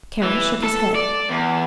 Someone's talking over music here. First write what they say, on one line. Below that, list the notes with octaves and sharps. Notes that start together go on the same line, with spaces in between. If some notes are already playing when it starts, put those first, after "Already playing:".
Kara shook his head.
E3
A4
D5
E2